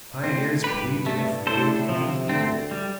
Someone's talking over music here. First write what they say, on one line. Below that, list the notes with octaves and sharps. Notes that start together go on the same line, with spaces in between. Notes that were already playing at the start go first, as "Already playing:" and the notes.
The pioneers believed in it for good and evil.
A2 C4
G2 G4 B4
G2 A3
A2 D4 A4 C5
C3 F3
D2 D3 A3 C4
G3